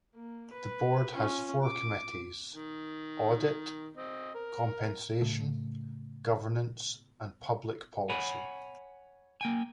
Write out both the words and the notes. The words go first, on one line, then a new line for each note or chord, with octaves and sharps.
The board has four committees: Audit, Compensation, Governance, and Public Policy.
A#3
B4
C#4 F4
D6
D#3
C4 D#5
A#4
A2 C#3 A3
C#5 F#5 G#5 B5
A#3 G5 G#5